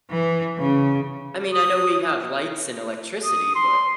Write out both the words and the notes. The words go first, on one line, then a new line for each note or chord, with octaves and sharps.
I mean, I know we have lights and electricity, but
E3
C#3
D#6
D#6
C6